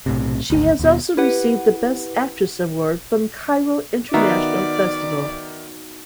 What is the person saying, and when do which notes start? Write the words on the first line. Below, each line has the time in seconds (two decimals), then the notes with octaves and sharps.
She has also received the Best Actress Award from Cairo International Festival.
0.06 B1 A2 C3
0.50 G#1 D2
0.80 D#2 B2
1.17 E4 G4 B4 F#5
4.14 D#3 B3 D#4 F#4 D5 E5 A#5